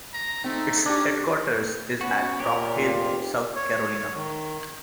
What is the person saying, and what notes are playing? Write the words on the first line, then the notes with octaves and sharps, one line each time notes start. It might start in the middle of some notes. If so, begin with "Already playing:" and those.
Its headquarters is at Rock Hill, South Carolina.
A#5
A3 C4 D#4
C#4 D4 G4
B3 C#4 F#4
A#2 C#4 G4 A#4
F1 F4 G4
C#5
D#3